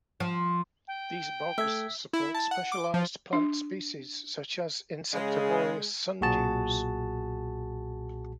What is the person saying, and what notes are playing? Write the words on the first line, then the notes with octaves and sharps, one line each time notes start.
These bogs support specialised plant species such as insectivorous sundews.
F3
G5
A3 A4 E5 G#6
E4
A5
F#5
D6
F3
D4
C#3 G#3
B1 A#2 F#4 G#4 A5